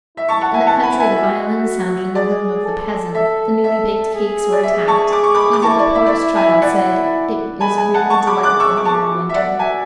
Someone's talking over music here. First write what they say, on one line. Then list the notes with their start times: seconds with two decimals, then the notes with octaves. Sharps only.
In the country the violin sounded in the room of the peasant; the newly-baked cakes were attacked; even the poorest child said, "It is really delightful here in winter!"
0.17 E4 E5
0.29 A5 C#6
0.41 F#5 A5
0.54 E5 G#5
0.67 F#5 A5
0.83 G#5 B5
0.99 E5 G#5
1.16 F#4 E5
2.15 G#4 D5
2.65 A4
3.15 A4 E5
3.64 E5
4.14 G#4
4.52 D5
4.63 G#4 E5
4.88 A5 C#6
5.13 D6
5.23 C#6
5.35 B5 D6
5.53 D6
5.62 E4 A5 C#6
5.79 D5
5.95 E5
6.06 D5
6.12 E5
6.36 E5 G#5
6.50 E5
6.61 E4 D5 F#5
7.60 G#4 G#5 B5
7.78 G#5 B5
7.94 F#5 A5
8.10 G#4 A5 C#6
8.27 B5 D6
8.43 D6 F#6
8.60 C#6 E6
8.77 D6
8.85 A5 C#6
9.10 F#4
9.29 E5
9.35 D5 F#5
9.59 E5 G#5